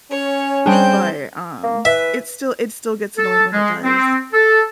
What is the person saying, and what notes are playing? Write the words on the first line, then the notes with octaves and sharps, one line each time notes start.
but, um, it still it still gets annoying when it does.
C#4 C#5
G3 C4 D4 G#4 G5 G6
A#3
E3 B4 E5
A4
G#3
C4
A4